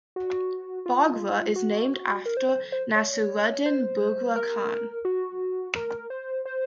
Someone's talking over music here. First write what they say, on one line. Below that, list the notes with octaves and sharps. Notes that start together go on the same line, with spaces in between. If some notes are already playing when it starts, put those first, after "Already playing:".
Bogra is named after Nasiruddin Bughra Khan.
F#4
F4
F#4
A#4
C5
C5
C5
C#5
C5
A#4
F#4
A#4
C5
C5